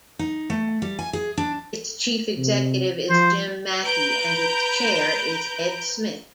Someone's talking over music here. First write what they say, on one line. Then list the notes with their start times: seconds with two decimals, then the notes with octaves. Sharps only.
Its chief executive is Jim Mackey and its Chair is Ed Smith.
0.19 D#4
0.50 A3
0.82 G3
0.99 G#5
1.13 G#4
1.38 D4
2.38 C3
3.10 F3 C5
3.83 B4 A#5 G6 D7